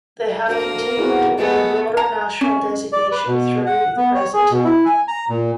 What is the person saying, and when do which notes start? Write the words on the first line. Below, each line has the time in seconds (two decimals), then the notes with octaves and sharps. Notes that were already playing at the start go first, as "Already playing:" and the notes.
They have continued with a broader national designation through the present.
0.48 D2 A#3 A#4
0.97 E2 B3 D#4 F#4
1.38 G#3 A3 B3 G4 B4 F#5
1.97 A#5
2.41 C#4
2.93 D5
3.12 B4
3.27 B2
3.66 F#5
3.97 B3
4.14 C#5
4.33 G#4
4.51 B2
4.64 E4
4.86 G#5
5.08 A#5
5.29 A#2